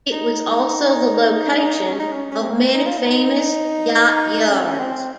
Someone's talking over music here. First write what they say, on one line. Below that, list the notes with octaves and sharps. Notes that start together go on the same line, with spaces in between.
It was also the location of many famous yacht yards.
D#4
C#4
D#4
C#4
C#4
C4
A#3
C4
D#4
F4
D#4
C#4
C4
C#4
C4